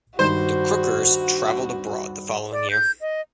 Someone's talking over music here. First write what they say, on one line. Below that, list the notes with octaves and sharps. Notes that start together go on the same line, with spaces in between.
The Crookers traveled abroad the following year.
G2 D#3 F#4 C5
D5
G6
D#5